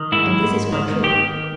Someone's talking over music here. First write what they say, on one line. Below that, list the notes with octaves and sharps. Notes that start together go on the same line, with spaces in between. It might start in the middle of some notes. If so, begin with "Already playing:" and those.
And this is quite true.
Already playing: D#3
G#2 E4
G#2
D#3
D#3 G4